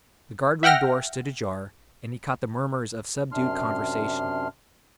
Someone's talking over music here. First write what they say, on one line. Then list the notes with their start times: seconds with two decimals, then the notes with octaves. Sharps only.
The guardroom door stood ajar, and he caught the murmurs of subdued conversation.
0.63 E5 F#5 G5 F6 A#6
3.32 F#2 C3 D4 C6 F6